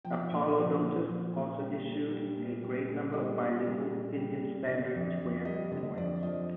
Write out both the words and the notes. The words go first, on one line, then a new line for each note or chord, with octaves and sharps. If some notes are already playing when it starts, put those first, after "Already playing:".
Apollodotus also issued a great number of bilingual Indian-standard square coins.
F3 G5
A#2
F3
A#2
F3
A#2
G3
A#2
G3
A#2
G3
A#2
G3 D#5
A#2
G3
A#2
G3
A#2
D3 D5
F2
F2
G3 D#5
D3 D#5
F2 D5
F3 D#5